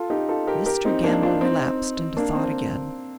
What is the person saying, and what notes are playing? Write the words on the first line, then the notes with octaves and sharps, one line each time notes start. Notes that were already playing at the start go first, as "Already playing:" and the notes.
Mr. Gamble relapsed into thought again.
Already playing: F4 A4
D#4 G4
F4 A4
G4 A#4
G4 A#4
C4 D#4
A#3 D4
D4 F4
C4 D#4
A#3 D4
C4